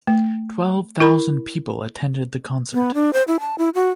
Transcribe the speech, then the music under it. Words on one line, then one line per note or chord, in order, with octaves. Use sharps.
Twelve thousand people attended the concert.
A3
E4 A#4 B5
B3
D4
C5
E4
A5
E4
F#4